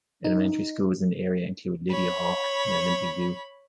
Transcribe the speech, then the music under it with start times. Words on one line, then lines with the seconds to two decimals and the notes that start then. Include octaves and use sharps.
Elementary schools in the area include Lydia Hawk and Olympic View.
0.24 D#4
1.91 C#5 B5